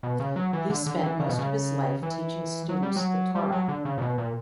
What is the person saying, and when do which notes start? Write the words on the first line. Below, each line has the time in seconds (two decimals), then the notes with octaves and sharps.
He spent most of his life teaching students the Torah.
0.03 B2
0.20 C#3
0.36 F#3
0.53 E3
0.70 D3
0.86 D3
1.03 E3
1.20 C#3
1.29 B2
1.39 C#3
2.03 E3
2.69 F#3
2.82 G3
2.96 F#3
3.35 G3
3.52 F#3
3.68 D3
3.85 C#3
3.98 A#2
4.02 B2
4.18 A#2